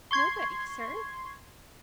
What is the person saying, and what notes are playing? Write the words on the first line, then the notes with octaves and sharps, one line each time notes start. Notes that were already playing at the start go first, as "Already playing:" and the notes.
"Nobody, sir."
C6 C#6 G#6 C7